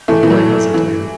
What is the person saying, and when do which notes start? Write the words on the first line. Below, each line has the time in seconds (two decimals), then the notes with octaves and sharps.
The boy hesitated.
0.08 E3 A3
0.23 E3
0.30 F#3
0.74 E3